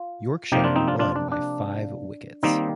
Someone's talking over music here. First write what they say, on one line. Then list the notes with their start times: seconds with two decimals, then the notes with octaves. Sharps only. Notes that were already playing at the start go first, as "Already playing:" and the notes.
Yorkshire won by five wickets.
Already playing: F4
0.52 C3 F3 A#3 D#4 G4
0.64 D4 F4
0.76 C4 D#4
0.88 D4 F4
0.99 D4 F4
1.16 D4
1.32 D4
2.43 D#3 G3 A#3 C4 D#4